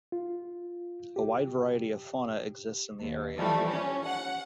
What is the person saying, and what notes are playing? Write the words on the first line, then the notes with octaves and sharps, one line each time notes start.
A wide variety of fauna exists in the area.
F4
G4
D#2
E3 F3 G3 A3
C#4
F#5